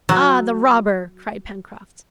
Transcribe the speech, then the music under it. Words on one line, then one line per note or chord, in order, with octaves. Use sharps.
"Ah, the robber!" cried Pencroft.
F#3